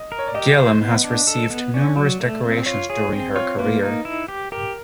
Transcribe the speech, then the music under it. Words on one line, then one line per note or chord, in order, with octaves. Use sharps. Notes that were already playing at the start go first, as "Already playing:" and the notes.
Guillem has received numerous decorations during her career.
Already playing: D#5
A#4
C#5
D5
G4 D#5
C5
B3
D4
A4
B3
C#4 D5
F#3
A3
C4
F4 C#5
G#4 C#5
C4
F4 C#5
A#3 B4
D#4
E4
G4
G4 A#4